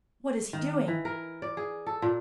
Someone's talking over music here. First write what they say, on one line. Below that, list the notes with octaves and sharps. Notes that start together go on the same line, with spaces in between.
What is he doing?
D#3
E3
A#4
D5
G#4
A4
A#2